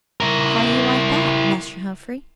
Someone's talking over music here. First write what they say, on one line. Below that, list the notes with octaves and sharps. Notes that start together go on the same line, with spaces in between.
How you like that, Master Humphrey?
E4 A#4